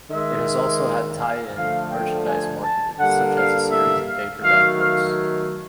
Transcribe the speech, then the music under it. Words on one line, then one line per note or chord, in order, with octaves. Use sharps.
It has also had tie-in merchandise marketed, such as a series of paperback books.
D#3 G#3 E5
F5
D3 F3 A3 F5
G5
G#5
A5
D3 G3 A#3 F#5
F5
E5
F5
D#3 F#3 A3 F5
F5